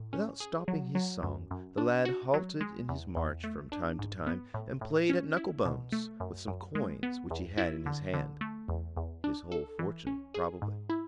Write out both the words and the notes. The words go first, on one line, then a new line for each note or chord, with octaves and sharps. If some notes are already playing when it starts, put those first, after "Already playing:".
Without stopping his song, the lad halted in his march from time to time, and played at knuckle-bones with some coins which he had in his hand--his whole fortune, probably.
Already playing: A2
C#4
G#4
F#3
F#3
F#2
F#2
D4
F#4
F#3
G#3
E2
E2
A3
D4
G#2
B3
A2
A2
C#4
E4
B2
A3
F#2
F#2
G#3
B3
E2
E4
D3
D3
A3
E2
E2
D4
A4
E3
C#4
G#4
G#2
E4